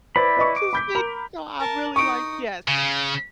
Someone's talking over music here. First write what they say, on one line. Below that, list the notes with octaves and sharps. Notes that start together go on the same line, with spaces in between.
to see so I really like yes,
E4 B4 C5 D5 B5
B4 D#5 C#6
D6
B5 G6 B6
A#4 B5 F7
A#4 A5
D#4 C#6 D#6 D7
C#3